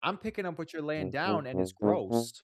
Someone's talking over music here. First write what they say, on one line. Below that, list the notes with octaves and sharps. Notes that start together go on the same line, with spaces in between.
I'm picking up what you're laying down and it's gross.
F#2
G#2
F#2
G#2
A#2